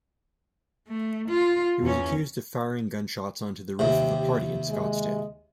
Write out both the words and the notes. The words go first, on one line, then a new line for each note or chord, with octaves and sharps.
He was accused of firing gunshots onto the roof of a party in Scottsdale.
A3
F4
E2 C#4
D#2 C3 G4
G#3